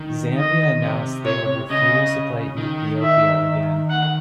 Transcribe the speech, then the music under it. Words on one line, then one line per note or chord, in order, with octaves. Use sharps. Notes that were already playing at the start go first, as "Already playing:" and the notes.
Zambia announced they would refuse to play Ethiopia again.
Already playing: D#3
D#5
C3
C#5
C#3 D#5
D#3
E5
F#5